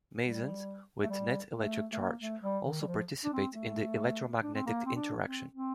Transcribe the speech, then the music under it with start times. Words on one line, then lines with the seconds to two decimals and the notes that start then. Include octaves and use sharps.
Mesons with net electric charge also participate in the electromagnetic interaction.
0.21 G3
1.03 A3
1.09 G3
1.54 A3
1.93 A3
1.99 A#3
2.20 A3
2.43 G3
2.65 D#3
2.81 G3
2.87 F3
3.24 D4
3.32 C4
3.54 A3
4.42 D4
4.54 C4
4.66 A#3
4.85 C4
4.95 D4
5.24 C4
5.54 C4